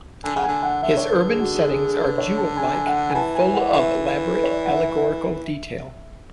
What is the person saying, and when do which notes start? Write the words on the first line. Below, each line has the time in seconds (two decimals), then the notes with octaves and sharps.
His urban settings are jewel-like and full of elaborate allegorical detail.
0.24 D3 G#5
0.36 C#3 F#5
0.43 D3 G#5
0.63 F#5
0.82 D3 E5
0.97 C#5
1.11 B4
1.26 G#4
1.40 F#4
1.55 G#4
1.69 G#4
1.84 G#4
1.99 B4
2.18 C#5
2.38 A5
2.57 G#5
2.74 G#5
2.87 F#5
3.11 G#5
3.15 E3 A5
3.35 G#5
3.54 F#5
3.68 D5
3.73 E3 E5
4.29 A4
4.37 B4
4.44 C#5
4.51 D5
4.66 F#5
4.70 E5
4.90 E5